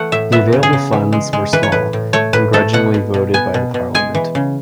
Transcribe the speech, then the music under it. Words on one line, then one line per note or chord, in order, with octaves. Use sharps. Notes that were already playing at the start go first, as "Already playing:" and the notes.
The available funds were small, and grudgingly voted by the parliament.
Already playing: E3 A3 F#5
A2 E5
B3 E5
C#3
G#4
C#3
E3
G#3
G#3
E3 B4
C#5
A2 B4
A2
A3 C#5
A2 B4
A3 A4
B2 F#5
B2
B2
B3 G#5
B2
B2
G#3 G#5
E3
C#3